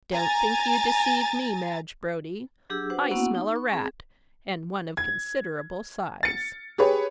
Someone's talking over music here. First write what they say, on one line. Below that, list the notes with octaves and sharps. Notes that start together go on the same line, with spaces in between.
"Don't think you deceive me, Madge Brodie--I smell a rat, and one of considerable size."
G#5 A#5 A6
F#3 D4 G4 G#4 E6
D4 F#4 B4 C5 F#5
A#3 B3 C#4 E4 F#4 F#5
D#4
C#6
C4 G#4
G#6
A6 C#7
G4 G#4 B4 C#5